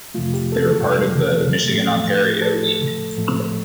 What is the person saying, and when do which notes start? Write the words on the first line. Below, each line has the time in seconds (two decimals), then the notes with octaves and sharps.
They were a part of the Michigan-Ontario League.
0.14 F2 C3 F3 A3 F4
0.34 G4
0.52 A4
0.71 A4
1.66 A2 F3 A3
2.42 A4
3.18 A2 F3 A3